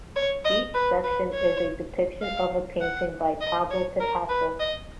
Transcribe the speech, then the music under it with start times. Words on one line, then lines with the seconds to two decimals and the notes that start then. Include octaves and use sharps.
Each section is a depiction of a painting by Pablo Picasso.
0.16 C#5
0.45 D#5
0.75 B4
1.04 B4
1.33 C#5
2.22 F5
2.81 F#5
3.41 D#5
3.71 C#5
4.00 A#4
4.29 B4
4.60 D#5